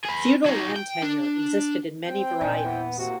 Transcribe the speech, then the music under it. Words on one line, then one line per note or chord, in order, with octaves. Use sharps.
Feudal land tenure existed in many varieties.
G#4 B4
F#3 D#4
G5
D4
C4 G5
E2 A#2 D4 G#5
E3 B3
A2 C3 A#3 C4 F#4